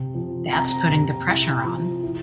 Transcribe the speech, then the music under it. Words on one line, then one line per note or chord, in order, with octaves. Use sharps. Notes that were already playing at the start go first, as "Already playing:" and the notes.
That's putting the pressure on.
Already playing: C3
F3
C4 A#5
C3
E4
F3
E4